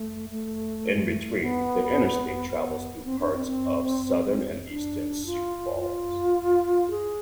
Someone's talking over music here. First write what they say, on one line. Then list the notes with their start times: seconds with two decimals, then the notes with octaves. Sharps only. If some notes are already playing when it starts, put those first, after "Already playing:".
In between, the interstate travels through parts of southern and eastern Sioux Falls.
Already playing: A3
0.30 A3
1.40 B3
2.50 B3
3.05 C4
3.20 D4
3.32 C4
3.46 C4
4.70 D4
5.26 F4
5.80 F4
6.91 G#4